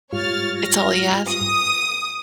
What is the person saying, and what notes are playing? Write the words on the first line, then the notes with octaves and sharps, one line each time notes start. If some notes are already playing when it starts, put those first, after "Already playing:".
It's all he has.
G#2 G3 F4 C#5 F6 A6
F6 A#6
D#6